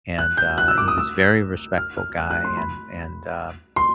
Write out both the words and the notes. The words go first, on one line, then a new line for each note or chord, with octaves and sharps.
and, uh, he was very respectful guy and and, uh,
F#6
G6
F#6
E6
D6
D#6
E6
F6
F6
F#6
F#6
C6
B5
C6